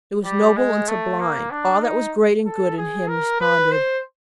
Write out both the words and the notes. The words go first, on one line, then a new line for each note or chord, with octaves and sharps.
It was noble and sublime; all that was great and good in him responded.
G3
G#3
A3
A#3
D4
D#4
A4
G#4
A#4
B4
C5